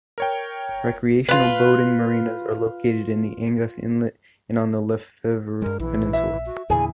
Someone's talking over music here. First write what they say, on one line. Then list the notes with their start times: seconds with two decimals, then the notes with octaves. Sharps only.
Recreational boating marinas are located in the Angas Inlet and on the Lefevre Peninsul.
0.18 A#4 C#5 G5
1.29 F4 B4
5.62 G2 G#3 A#4
5.80 A#1 E3
6.13 E5
6.46 F#4
6.70 E2 A#2 D3 E4 G#4